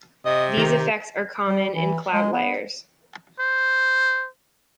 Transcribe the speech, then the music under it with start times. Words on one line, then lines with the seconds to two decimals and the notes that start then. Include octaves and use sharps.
These effects are common in cloud layers.
0.26 C3 D#5
0.57 D#3 G4 A#5
1.48 G3
1.75 E3
2.13 G#3
2.33 B3
3.40 C5